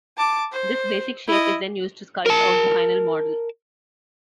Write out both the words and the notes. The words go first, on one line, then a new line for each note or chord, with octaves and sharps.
This basic shape is then used to sculpt out the final model.
A5 D6
C5
E4 D#5
A#4 A5